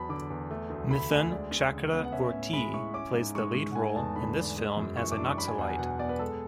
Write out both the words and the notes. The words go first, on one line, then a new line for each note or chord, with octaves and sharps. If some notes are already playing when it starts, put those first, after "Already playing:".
Mithun Chakraborty plays the lead role in this film as a Naxalite.
Already playing: E2 F#3 A5 B5
D3 D6
E2
A3
D2
D3 B5
D2 G#5
G#3 D5
D2
C#3
B3
F#5
C#4 E5
A2
G#3 B5
E4 C#6
C#4 D6
G#2
G#3 C#6
G#2 C#6
F#5
A3 G#5
E2 A5
D3 B5
D4
G#3
F#2
E3 C#6
D6
D4
C#6
F#3 B5
G#5
E2 F#5
G#5
B2 F#5
B3 D5
B4
G#3 A4